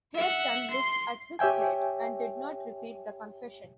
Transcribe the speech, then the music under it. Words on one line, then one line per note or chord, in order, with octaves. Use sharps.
Hareton looked at his plate, and did not repeat the confession.
E5 F#5
C6
G4 C#5 E5 G5 G#5